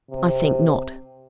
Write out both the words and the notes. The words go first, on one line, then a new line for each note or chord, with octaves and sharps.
I think not.
C3